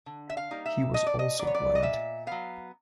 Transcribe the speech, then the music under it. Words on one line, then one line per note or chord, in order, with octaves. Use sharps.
He was also blind.
D3
E5
F5
G3 A#3 D#4
E5
A2 D#5
D5
D#5
F#3 B3 C#5 D5
D5
D#5
A#2 E5
F#3 B3 F5